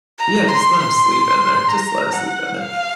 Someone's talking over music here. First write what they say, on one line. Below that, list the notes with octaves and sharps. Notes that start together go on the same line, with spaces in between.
Yeah, just let him sleep in there, just let him sleep in there.
A#5
C6
C6
A#5
F#5
F5